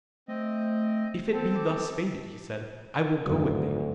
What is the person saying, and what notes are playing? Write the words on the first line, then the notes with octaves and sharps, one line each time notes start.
'If it be thus fated,' he said, 'I will go with thee.
A3 C4 D#5
B3 C4 A4
D6
G#1 D2 G2 F#3